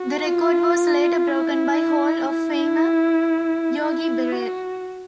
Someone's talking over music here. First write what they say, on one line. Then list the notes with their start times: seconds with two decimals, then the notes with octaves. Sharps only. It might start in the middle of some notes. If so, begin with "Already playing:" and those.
The record was later broken by Hall of Famer Yogi Berra.
Already playing: F#4
0.26 F4
1.28 E4
2.29 E4
3.82 E4
4.32 F#4